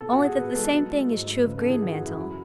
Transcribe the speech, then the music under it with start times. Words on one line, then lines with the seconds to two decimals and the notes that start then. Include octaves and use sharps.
'Only that the same thing is true of Greenmantle.
0.01 B2 A4
0.12 F#4
0.19 B2
0.25 G#4
0.37 B2 B4
0.55 G#3 A4
0.73 F#3
0.92 A3
1.09 G#2
1.28 G#2
1.46 C#3 B4
1.58 A4
1.64 E3
1.70 G#4
1.82 E3 F#4
1.94 F#4
2.00 F#2
2.06 E4
2.18 F#3